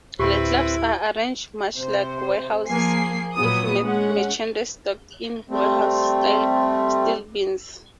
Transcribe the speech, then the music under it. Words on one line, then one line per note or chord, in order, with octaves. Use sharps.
The clubs are arranged much like warehouses, with merchandise stocked in warehouse-style steel bins.
D2 A2 C4 E4 G4 B4
C3 C5
F3 A#3 G#4 G#5 C7
A#2 F#3 B3 D#6
G#3 C#4 F#5
G3 A3 C4